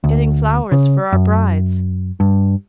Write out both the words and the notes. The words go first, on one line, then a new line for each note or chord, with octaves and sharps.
'Getting flowers for "our brides".
D2
C#3
F#2
G2